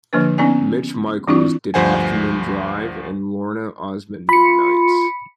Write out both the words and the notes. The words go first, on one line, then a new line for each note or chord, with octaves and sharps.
Mitch Michaels did afternoon drive and Lorna Ozmon did nights.
D3 F3 A#3 D4 B4
B3 C#4 D#4 D5 G#5
E3 C4 D4 E4 F4 D5
D2 G2 F3 C5 F#5 G#5
F4 B5 C#7